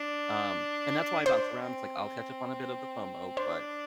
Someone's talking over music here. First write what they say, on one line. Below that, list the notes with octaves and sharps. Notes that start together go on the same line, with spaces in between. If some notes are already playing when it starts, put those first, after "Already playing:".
Um, and that's why I bounce around, it's like I'll catch up on a bit of the FOMO, but
Already playing: D4
D4 C5
C4
D4 C5